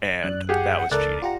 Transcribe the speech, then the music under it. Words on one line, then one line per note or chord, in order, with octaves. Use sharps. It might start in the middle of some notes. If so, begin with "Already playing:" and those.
and that was cheating.
F#2 D5 F#6
G4 G#4 F#5
F#5
C#2 A4 A#4 D5 F#6
F4 G4 F#5 A#5